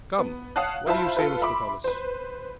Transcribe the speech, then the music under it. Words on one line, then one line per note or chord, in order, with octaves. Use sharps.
"Come, what do you say, Mr. Thomas?"
B3
C#5 F5 F#5 A5 D#6 F#6
E4 F4 C5 E5 A5 B5
F4 A4 B4
E5 B5 C6 D6
B4 C5